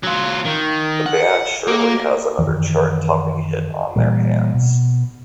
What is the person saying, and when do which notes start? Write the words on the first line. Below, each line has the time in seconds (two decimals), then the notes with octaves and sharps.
The band surely has another chart topping hit on their hands.
0.04 F#3 F4
0.45 D#3
1.06 F#5
1.68 A#3
2.39 F#2 C3 D#3 E3
3.96 A#2 E3 G3
4.54 B2